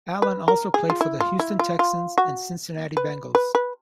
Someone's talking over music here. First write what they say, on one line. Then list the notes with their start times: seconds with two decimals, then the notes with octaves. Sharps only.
Allen also played for the Houston Texans and Cincinnati Bengals.
0.22 B4
0.48 A#4
0.74 G#4
0.90 F4
1.01 E4
1.20 F4
1.39 E4
1.59 F4
1.79 F4
2.18 F#4
2.97 B4
3.35 B4
3.55 B4